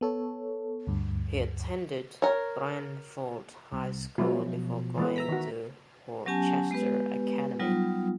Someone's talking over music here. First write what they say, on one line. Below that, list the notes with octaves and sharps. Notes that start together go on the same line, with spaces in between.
He attended Branford High School before going to Worcester Academy.
B3 A4 C#5
D2 G2
A#4 C#5
C2
B2 F3 F#3 G#3 E4
E3 G#3 B3
E5 A#5 B6
D#3 F#4
F#3 B3 C#4 G4 G#5 A5
G#3 B3 G4 B4
F#3 G3 B3 D#4 F4